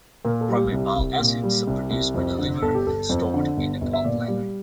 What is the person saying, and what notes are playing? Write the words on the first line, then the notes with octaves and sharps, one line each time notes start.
Primary bile acids are produced by the liver and stored in the gall bladder.
A#2 A#4
A4
G3
G4
C2
C2
A#2
G3
C2
C2
F2
D3
G1 A4
G4
G1 A4
F2
D3
G1
G1
E5
A#2 D5
G3